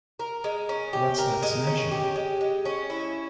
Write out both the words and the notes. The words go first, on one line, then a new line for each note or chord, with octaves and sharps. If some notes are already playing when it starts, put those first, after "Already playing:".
What's that smashing?
A#4
G#3
C#4
G4
A#4
G#3
C#4
G4
G#3
G#3
C#4
E4